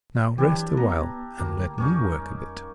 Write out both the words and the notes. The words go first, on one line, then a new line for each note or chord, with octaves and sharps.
"Now rest awhile-and let me work a bit."
E3 F#3 D4 E4 G4
B3 A#5
D2 A#3
F2 G3 A#3 C#4 D#4